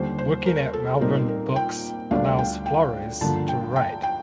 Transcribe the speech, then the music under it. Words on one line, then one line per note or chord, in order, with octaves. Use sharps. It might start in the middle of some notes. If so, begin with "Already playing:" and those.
Working at Malvern Books allows Flores to write.
Already playing: D#2 D3 G3 C5
C5
A#4
A4
A#2 G3 C4 D#4 A#4
A#4
G5
D2 D3 G3 D4 F5
G5
G5
G2 D3 F3 A#3 A5
G5
G5
G5